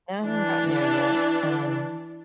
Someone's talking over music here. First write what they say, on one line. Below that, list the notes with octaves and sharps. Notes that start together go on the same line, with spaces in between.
Haven't gotten there yet, um,
E3 D4